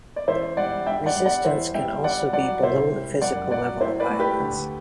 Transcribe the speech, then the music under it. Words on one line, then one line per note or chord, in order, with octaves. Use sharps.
Resistance can also be below the physical level of violence.
D5
A1 C5 E5
G3 D5 F#5
G2 E5 G5
D5 F#5
G3
D5 F#5
E2 C5 E5
G3 E5 G5
G1 D5 F#5
F#3 D5 F#5
C2 C5 E5
G3
F#2 D5 F#5
F#3 D5 F#5
A2 C5 E5
B4 D5
A3
G4 B4
D2